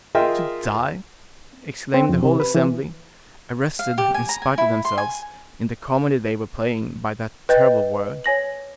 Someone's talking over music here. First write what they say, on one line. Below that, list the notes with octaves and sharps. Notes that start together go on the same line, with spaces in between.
"To die!" exclaimed the whole assembly, arrested, in spite of themselves, in the comedy they were playing, by that terrible word.
F4 G#4 A#4 D#5 E5 G5
C4
F2
C3
B4
E3
F5
G4
G#5
A#5
G#5
E4
C6
G#5
B4 D#5 G5 G6 A6
C#5 G#5 A#6 F#7